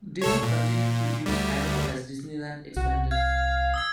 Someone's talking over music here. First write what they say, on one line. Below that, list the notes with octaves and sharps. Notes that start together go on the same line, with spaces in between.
Disney continued to use Arrow as Disneyland expanded.
C2 A4 C#5
A#2
D2 G3
C2 F#4
F5 G#6
D#6 E6 G#6